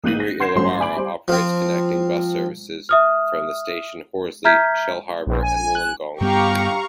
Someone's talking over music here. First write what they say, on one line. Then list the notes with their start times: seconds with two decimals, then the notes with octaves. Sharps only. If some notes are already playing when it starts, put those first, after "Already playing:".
Premier Illawarra operates connecting bus services from the station to Horsley, Shellharbour and Wollongong.
0.04 A1 A#3 F#6 G6 D#7 F#7
0.20 A#6
0.40 F#5 C6 G6 G#6 C7 E7
0.55 A1 G2 F#3 C#4 C5 C6
0.80 G#5 B5 D6 D7 F#7
0.97 G3 C5
1.28 F3 C4
2.89 E5 D#6 F6
4.45 E5 A#5 F6 G6 G#6 B6
5.27 A#1
5.43 G#5
5.56 G#5
5.75 F#6
6.21 G2 G3 B3 G4 F5 A#5 C#6